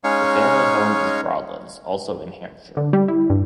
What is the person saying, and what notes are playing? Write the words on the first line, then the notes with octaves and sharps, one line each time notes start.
The family home is Broadlands, also in Hampshire.
G#3 C#4 D#4 C#5 F5 C#6
D3
G3
E4
G2